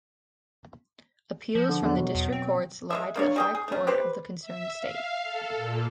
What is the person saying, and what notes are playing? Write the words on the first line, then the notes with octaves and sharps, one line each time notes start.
Appeals from the district courts lie to the High Court of the concerned state.
F3
D3
E2 D3
B2 F#3
E2
C4
G#3 A#3 E5
A#3 D4 C#5
G3 G#4 G5
G#4
A3 C#4
G4 B4 C5
E5
F5
A4
A#2